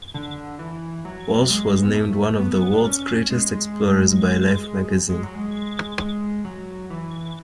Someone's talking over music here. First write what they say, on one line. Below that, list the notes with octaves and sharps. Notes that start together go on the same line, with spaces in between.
Walsh was named one of the world's great explorers by "Life" magazine.
D3
E3
F#3
G#3
B3
A3
B3
D4
C#4
G#3
G#3
F#3
G#3
G#3
F#3
E3